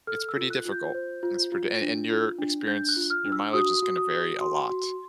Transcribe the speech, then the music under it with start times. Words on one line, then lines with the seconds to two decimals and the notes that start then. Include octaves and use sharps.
it's pretty difficult, it's pretty and and your experience, your mileage is going to vary a lot,
0.07 A4 F6
0.29 E6
0.36 F4
0.50 F#6
0.65 F4
0.72 G6
0.94 C5
1.23 F4
1.52 F4
1.81 D4
2.10 F4
2.38 D4
2.67 D4 G6
2.89 F#6
2.96 F4
3.10 F6
3.25 D4
3.32 E6
3.53 F#4 D#6
3.82 F#4
3.97 D#6
4.12 F#4
4.40 F#4 C6
4.70 F#4